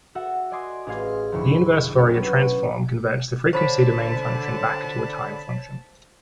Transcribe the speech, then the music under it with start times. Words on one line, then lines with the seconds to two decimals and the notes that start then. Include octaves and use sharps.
The inverse Fourier transform converts the frequency domain function back to a time function.
0.15 F#4 A4 E5 F#5
0.51 D5 D#5 G#5 C6 D6 D#6
0.87 A1 G#4 D#5 F5 C6 G#6
1.32 F1 A#2 D3 E4 B5 C#6
1.96 G3 C#4 C#5
2.12 F#3 B3 C#6
3.53 D3 C5 C#5 A5 B5 B6